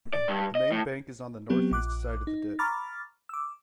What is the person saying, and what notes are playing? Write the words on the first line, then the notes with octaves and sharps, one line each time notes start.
The main bank is on the north-east side of the ditch.
D5
G2
D#5
A2
F#3 B3 C4 G4
A#1 D6 F#6
D#4
A#5 B5 C#6 D6 F6 A6
D6 E6